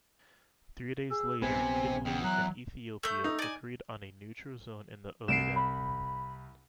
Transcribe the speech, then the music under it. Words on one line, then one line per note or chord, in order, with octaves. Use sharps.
Three days later Italy and Ethiopia agreed on a neutral zone in the Ogaden.
G#4 E6
A#1 C3 B3 C5 G#5
E2 G5
F#3 A#5 F#6
A3 G6
D#4
D5 G#5
C2 C7 D7 E7
B5